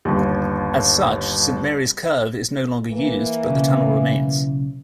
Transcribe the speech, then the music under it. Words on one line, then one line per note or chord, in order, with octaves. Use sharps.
As such, Saint Mary's Curve is no longer used, but the tunnel remains.
G1 D#2
E3 A#3
B1 C#3